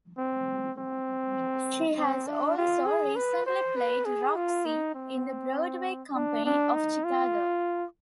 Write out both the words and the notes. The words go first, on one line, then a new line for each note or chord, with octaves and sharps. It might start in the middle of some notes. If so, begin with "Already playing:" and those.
She has also recently played Roxie in the Broadway company of "Chicago".
C4
C4
C4
D4
F4
G#4
B4
C5
B4
G#4
F4
D#4
C4
D4
D4
D#4
F4